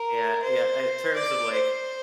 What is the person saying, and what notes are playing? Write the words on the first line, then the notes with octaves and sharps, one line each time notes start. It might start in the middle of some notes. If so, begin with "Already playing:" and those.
Yeah yeah, in terms of, like,
Already playing: A#4
C5
D5
C5